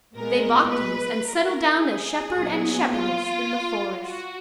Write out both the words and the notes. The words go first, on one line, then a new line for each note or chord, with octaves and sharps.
They bought these and settled down as shepherd and shepherdess in the forest.
A#2 G#3 B3 A#4
B4
A#4
G#4
A#2 F#3 B3
F4
F#4